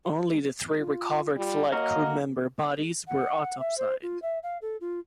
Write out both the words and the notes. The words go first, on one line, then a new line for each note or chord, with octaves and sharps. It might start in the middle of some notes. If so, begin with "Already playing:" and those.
Only the three recovered flight crewmember bodies were autopsied.
F4
G3 F4
A#3 F#4 A#4 C#5 D#5
F#5
E5
C5
F4
E5
F5
A4
F4